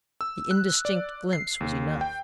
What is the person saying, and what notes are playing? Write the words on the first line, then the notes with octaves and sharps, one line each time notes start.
The indistinct glimpse was enough.
E6
F#6
D5
C7
D#2
G5